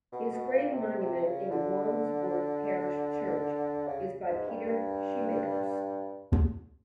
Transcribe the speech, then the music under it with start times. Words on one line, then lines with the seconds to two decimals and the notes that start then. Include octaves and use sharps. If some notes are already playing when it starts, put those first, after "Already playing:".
His grave monument in Wandsworth Parish Church is by Peter Scheemakers.
0.12 B2
0.33 B2
0.52 A#2
0.72 C3
0.99 C3
1.24 C#3
1.51 D3
3.88 C#3
4.27 G#2
4.47 G2
4.67 G2